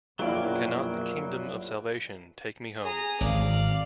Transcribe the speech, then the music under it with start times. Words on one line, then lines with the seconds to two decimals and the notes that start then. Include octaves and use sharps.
Cannot the kingdom of salvation take me home?
0.19 A#1 F#2 B2 F#3 A#3 E4 G5
2.82 G#4 A#5
3.21 G#1 D5 F5